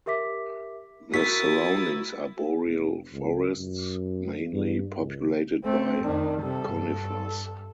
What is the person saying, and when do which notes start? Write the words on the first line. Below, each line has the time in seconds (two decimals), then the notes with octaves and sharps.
The surroundings are boreal forests mainly populated by conifers.
0.06 G4 A#4 E5 D6 B6
1.14 E4 F#4 A#4 D#6 A6 B6
2.63 F1
3.13 C#2
3.57 F#2
4.53 G2
4.99 C#2
5.64 A3 C4
6.04 F2 D#3 D4
6.42 C3 G3 A4
6.71 G2